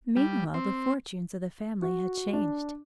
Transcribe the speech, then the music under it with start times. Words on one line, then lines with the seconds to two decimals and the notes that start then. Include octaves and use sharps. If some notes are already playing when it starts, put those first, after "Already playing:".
Meanwhile the fortunes of the family had changed.
0.17 G3
0.54 C4
1.82 F#4
2.33 D4